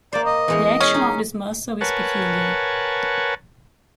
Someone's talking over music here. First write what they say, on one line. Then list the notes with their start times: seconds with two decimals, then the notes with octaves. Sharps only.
The action of this muscle is peculiar.
0.13 A#3 C5 D5
0.25 D#5
0.48 E2 G#3 C#5
0.81 C#4
0.94 D#4 G#4
1.81 A#4 B4 C#5 F#5 G#5 A5